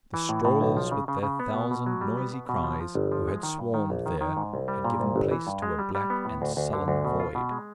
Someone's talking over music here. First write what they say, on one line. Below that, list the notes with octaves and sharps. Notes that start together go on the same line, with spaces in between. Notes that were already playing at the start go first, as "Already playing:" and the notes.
The strollers, with their thousand noisy cries, who had swarmed there, had given place to a black and sullen void.
E3
A2
A2
B1
F3
C#3
C#3
C#3
B3
B2
B2
F#3
G3
B3
B2
B2
F3
F3
G1
F3
G#3
D#3
G2
D#3
A#1
D#3
D#3
G#2
C2
G3
A#2
C2
G1
E3
G2
G#3
G3
G3
B3
A2
D2
D2
D3
D2
B2
F4
B2
G#3